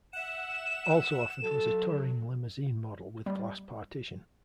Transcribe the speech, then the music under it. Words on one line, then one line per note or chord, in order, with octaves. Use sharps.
Also offered was a touring limousine model with glass partition.
E5 F#5 E7
F#3 A4
G3